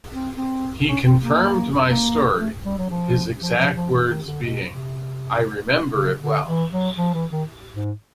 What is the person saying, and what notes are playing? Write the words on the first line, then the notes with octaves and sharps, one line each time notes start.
He confirmed my story, his exact words being 'I remember it well.
C4
C4
C#4
C4
A#3
A#3
A3
G3
F#3
F3
F3
F3
F3
E3
D#3
D3
B2
C3
C#3
D3
E3
F#3
F3
E3
D#3
G#2